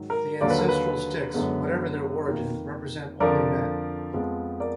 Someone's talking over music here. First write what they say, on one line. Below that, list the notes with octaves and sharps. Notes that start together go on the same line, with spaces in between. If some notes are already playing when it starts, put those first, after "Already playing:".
The ancestral sticks, whatever their origin, represent only men.
Already playing: G#2 D#3 F#3
A#4
D#2 D3 F#3 A#3 D5
B4
A#4
B4
F#2 D3 G#3 B3
F2 D#3 A#3
F2 D3 F3 A#4 D5
F2 F3 G#3 B3
A#4 D5